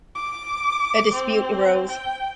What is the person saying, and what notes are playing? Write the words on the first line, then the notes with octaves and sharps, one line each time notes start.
A dispute arose.
D6
C4
G5